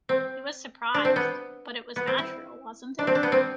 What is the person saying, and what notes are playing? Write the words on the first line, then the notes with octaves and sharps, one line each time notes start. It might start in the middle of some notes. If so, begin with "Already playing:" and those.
He was surprised; but it was natural, wasn't it?
C4
D4
C4
B3
B3
C4
E4
D4
C4
D4
B3
C4